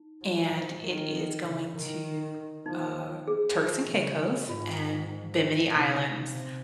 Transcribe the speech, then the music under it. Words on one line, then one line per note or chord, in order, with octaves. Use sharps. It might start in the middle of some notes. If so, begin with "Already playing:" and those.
and it is going to, uh, Turks and Caicos and Bimini Islands.
Already playing: D#4
F#3
F3
D#3
C#3
D#3
F3 D#4
G#4
F3
C#3
G#2 F4
C3 D#4
C3